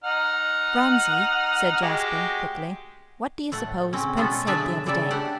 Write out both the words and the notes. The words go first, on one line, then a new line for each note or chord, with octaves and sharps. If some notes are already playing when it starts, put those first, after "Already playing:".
"Phronsie," said Jasper quickly, "what do you suppose Prince said the other day?"
D#4 F#5 F6
G#3 F#4 G4
A2 A3 F#5
C#3 C4 C#4
B2 B3 C#4 F4 A4 F#5
D3 F#3 D4 G#4 D5 E5
C#3 G3 A4 D5 E5
A3 D4 G4 D5 F#5